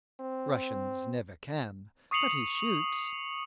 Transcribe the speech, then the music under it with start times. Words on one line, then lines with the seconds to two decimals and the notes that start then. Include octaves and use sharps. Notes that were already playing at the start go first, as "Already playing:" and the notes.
"Russians never can; but he shoots."
0.20 C4
2.11 C#6 D#6 C7 C#7 F7 F#7